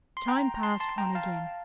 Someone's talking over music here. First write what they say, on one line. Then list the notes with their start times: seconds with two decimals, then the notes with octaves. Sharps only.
Time passed on again.
0.17 C6
0.28 G5 A#5
0.55 A#5
0.63 A5 C6
0.80 A5 C6
0.98 G5 A#5
1.15 F5 A5